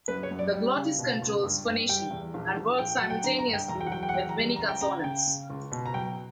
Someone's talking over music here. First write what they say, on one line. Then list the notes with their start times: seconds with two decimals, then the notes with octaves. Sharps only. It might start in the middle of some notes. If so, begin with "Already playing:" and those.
The glottis controls phonation, and works simultaneously with many consonants.
0.08 F#2 B4
0.23 C#5
0.31 F#2
0.39 D5
0.53 G3
0.76 C#3
0.99 B2
1.22 C#2
1.43 G2
1.66 G2
1.89 G3 G5
2.11 E2
2.34 A#1
2.57 A#1
2.78 A#1 G5
2.96 F#3 F#5
3.10 G5
3.24 D3 A#5
3.39 A#5
3.47 G2
3.53 G5
3.68 E2 A#5
3.81 G5
3.86 F#5
3.91 F#3 G5
4.03 G5
4.09 F#5
4.14 E2 G5
4.29 A#5
4.37 G3
4.56 C#2 A#5
4.69 G5
4.81 C#3 A#5
5.04 C#3 G5
5.27 C#3
5.50 C#2
5.72 B2
5.86 A#5
5.94 F#3 G5